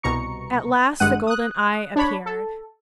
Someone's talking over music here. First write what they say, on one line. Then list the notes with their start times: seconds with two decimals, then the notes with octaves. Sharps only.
At last the golden Eye appeared.
0.03 C2 B2 A#5 C#6 C#7
1.00 G#1 G2 G#3 F#5 F#6 D#7
1.27 D#6 F#6
1.96 D4 C#5 B5
2.26 A4